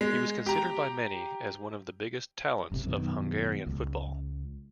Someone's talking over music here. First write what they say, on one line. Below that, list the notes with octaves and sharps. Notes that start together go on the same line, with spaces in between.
He was considered by many as one of the biggest talents of Hungarian football.
G#3
G4 A#5
F1 B1 C3
F#2 B2 D#3
C#2